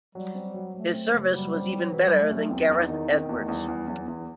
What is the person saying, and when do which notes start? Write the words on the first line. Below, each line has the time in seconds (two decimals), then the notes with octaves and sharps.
His service was even better than Gareth Edwards.
0.15 F#3 G3
0.35 C4
0.54 F#3
0.74 F#3 A3
0.94 C4
1.13 F#1
1.33 F#3 G3
1.53 C4
1.72 C4
1.81 F#3
1.92 E3 F#3
2.06 G3
2.12 F#2
2.22 A3
2.31 F#2
2.36 A3
2.50 E2 C4
2.70 E2
2.80 D#4
2.90 D#3
3.09 D#3 C4
3.25 E2 B3
3.38 A3
3.48 E2 G3
3.68 E2 G3
3.88 E2 F#3
4.03 F#3
4.08 E2 E3